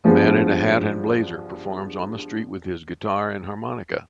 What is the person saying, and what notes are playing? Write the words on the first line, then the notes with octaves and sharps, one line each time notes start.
A man in a hat and blazer performs on the street with his guitar and harmonica.
G2 F3 G#3 B3